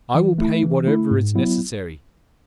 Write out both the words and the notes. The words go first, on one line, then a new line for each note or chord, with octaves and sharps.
I will pay whatever is necessary.
E3
A3 E4
E3
A3 E4
G#2
F#3 B3 E4